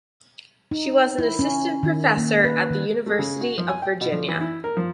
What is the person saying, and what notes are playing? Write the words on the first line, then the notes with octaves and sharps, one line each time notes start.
She was an assistant professor at the University of Virginia.
D#4
E4
C#4
D#3
A#3
B4
D#3
A3
C#3
F#4
F3
G#5
G5
B2
F3
E3
E4
A#4
F3